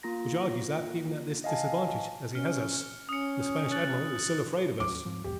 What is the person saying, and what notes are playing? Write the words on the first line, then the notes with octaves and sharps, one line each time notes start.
"Which argues that, even at this disadvantage as he has us, the Spanish Admiral is still afraid of us."
A#3 F4 A#5 A#6
D#5 F5 G#5 A5
C#4 F6 C#7
C#4 D#6 C#7
F#6 A6 F#7
D#2 F#3 C#4 D6
G#2 F3 C4
B1 E2 G#2 G4